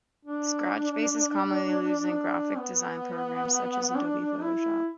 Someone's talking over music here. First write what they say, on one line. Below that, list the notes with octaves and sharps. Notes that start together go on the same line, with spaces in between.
Scratch space is commonly used in graphic design programs, such as Adobe Photoshop.
D4
D4
B3
D4
E4